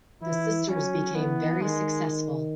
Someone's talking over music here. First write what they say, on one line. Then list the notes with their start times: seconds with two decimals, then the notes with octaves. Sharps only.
The sisters became very successful.
0.22 E3 E4
0.68 F#3 C#4
1.14 E3 B3
1.61 D#3 G#3